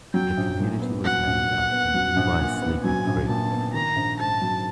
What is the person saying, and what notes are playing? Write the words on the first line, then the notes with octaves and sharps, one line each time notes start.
The community was named after nearby Sleepy Creek.
F#3 G5
A#1
A#2
B3
F#3 F#5
A#1
A#2
B3
F#3
A#1
A#2
B3
F#3 G#5
A#1
A#2 A5
B3
D#3 A#5
A#1
G#2 A5
F#3